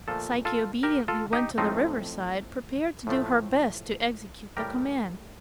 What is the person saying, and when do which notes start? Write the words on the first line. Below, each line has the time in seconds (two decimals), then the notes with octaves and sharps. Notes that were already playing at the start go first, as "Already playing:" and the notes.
Psyche obediently went to the riverside, prepared to do her best to execute the command.
0.08 A#2 F3 A3 F4 A4
0.45 F4 A4
0.83 G4 A#4
1.08 F4 A4
1.33 D#4 G4
1.58 A2 F3 A3 C4 D#4
3.07 A2 F3 A3
4.57 A2 G3 G4 A#4